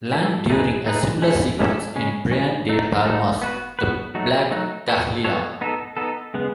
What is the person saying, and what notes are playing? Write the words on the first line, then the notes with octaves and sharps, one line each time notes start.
Lang during a similar sequence in Brian De Palma's "The Black Dahlia".
E3 A3 E4
A3 D#4 G#4 B4
A3 D#4 G#4 B4
G#3 C#4 E4 A4
G#3 C#4 E4 A4
C#3 G#3 C#4
C#3 G#3 C#4
A3 D#4 A4
A3 D#4 A4
B3 F#4 B4
B3 F#4 B4
F#3 A3 D#4 F#4
F#3 A3 D#4 F#4
B3 F#4 A4 C#5
B3 F#4 A4 C#5
B3 D#4 A4
B3 D#4 A4
C#3 G#3 B3